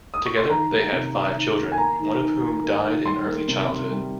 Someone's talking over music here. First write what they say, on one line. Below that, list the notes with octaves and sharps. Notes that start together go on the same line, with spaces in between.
Together, they had five children, one of whom died in early childhood.
D#6
C#6
C6
D#3 A#5
A#3
C3
C3
D#3
A#3
G#5
A#3 A#5
D#3
D#3
A#3
A#3
D#3
G3 C6
A#3
C3
C3
G3